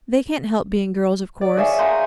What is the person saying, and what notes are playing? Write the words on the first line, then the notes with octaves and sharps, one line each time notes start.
They can't help being girls, of course.
D5
G#4 C#5 E5 F5 G#5
F#5 G#5 A#5 C6 G6